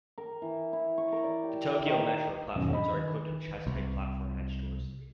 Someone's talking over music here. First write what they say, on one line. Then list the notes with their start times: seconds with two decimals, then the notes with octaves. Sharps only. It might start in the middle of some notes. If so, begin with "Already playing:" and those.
The Tokyo Metro platforms are equipped with chest-height platform edge doors.
0.18 A#4
0.42 E3
0.73 E4
0.98 C#6
1.12 A#4
1.24 D5
1.43 G4
1.86 D#3
2.56 E2 G#2 B2 D#3 F#3 C#4
2.72 D4 D#5 B5
2.92 D#3 B4
3.67 C2